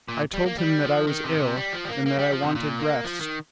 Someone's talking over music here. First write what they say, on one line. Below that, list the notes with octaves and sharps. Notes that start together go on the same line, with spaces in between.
I told him that I was ill, and that I wanted rest.
A#2
G3
A#3
G3
F3
D#3
C3
D#3
C3
G3
F3
G3
A#3
A#3
G3
F3
C3
A#2
A#3
F3
D#3